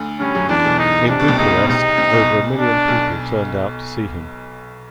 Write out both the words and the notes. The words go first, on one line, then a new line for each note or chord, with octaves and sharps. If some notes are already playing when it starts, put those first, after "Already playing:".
In Bucharest over a million people turned out to see him.
Already playing: D2 D3
G2 G3 C#4
F#2 F#3
E2 E3 D4
B1 B2
D#4
C3 D4
B2
C2 C3
C#2 C#3 D#4
B2
C2 C3 D#4
C2 C3
B1 B2
D4
B1 B2